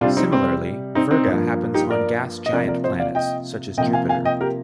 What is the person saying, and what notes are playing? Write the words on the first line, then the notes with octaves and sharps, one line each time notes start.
Similarly, virga happens on gas giant planets such as Jupiter.
C3 G3 C4 D4 F4
C4 D#4
C4
C4 D#4
C4 D#4
G2 F3 A#3
D#4 G4
A#4 D5
D#5
C3 F3 A#3 A#4 D5
A#4 D5
C5 D#5
D5 F5
D#5 G5
C3 F3 A#3 D#5 G5
F5 G#5
F5 G#5
D#5 G5
G4 A#4